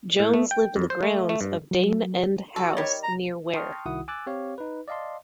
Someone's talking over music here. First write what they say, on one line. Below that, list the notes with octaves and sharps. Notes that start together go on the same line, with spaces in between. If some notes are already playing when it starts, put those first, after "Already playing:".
Jones lived in the grounds of Dane End House near Ware.
A2
A3
G5
F2
C5
A3
A3
G2
F#3
F#4 A4
D#3 G3 C#5
A#5
G5 A5 C6 C#6 D#6 F6
C2 D#3 E4 F#4 F#5 D#6
G#5 D6 E6 F#6 A6
C4 G4 C#5 F5
D#4 B4
D5 D#5 F5 A5 C6